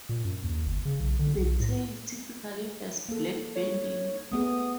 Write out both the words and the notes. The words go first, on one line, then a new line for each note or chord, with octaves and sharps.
The tail typically has black banding.
A#2
F#2
D#2
G1
C#3
B1
D3
B1
A2
A#3 A4
C#5
A3 B3 G#4 D#6